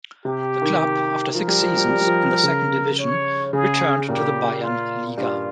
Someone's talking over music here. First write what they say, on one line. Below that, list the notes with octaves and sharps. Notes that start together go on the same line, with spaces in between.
The club, after six seasons in the second division, returned to the Bayernliga.
C3 G4
D#3
F3 A#4
G3
F3
G3
G3
G3
F3
C#3
C#5
C#3 G#4
A#2 G4
F4
G2 F4